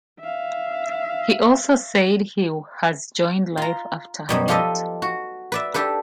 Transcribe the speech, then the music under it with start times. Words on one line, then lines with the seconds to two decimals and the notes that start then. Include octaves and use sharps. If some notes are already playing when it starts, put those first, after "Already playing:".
He also said he has joined Life After Hate.
0.20 E5 F5
3.57 F4 A#5
4.29 F#2 B2 G3
4.48 F3 F4 G4 A4 B4 D#5
5.02 F#4
5.52 B4 D5 E5
5.74 D4 G4 A4 B4